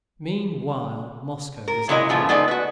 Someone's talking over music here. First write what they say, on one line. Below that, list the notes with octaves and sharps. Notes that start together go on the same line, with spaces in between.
Meanwhile Moscow was empty.
A#4
A#2 F#3 G#3 E4 D#5
A#2 C#3 F3 G#3 A3 B3
G#3 A3 B3 D#4 D5
F#4 B4